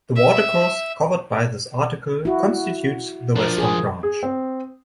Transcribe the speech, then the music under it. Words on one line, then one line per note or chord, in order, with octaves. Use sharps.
The watercourse covered by this article constitutes the western branch.
E5
E4 F#4
F3 D4 A#4
G#4
G#4
C4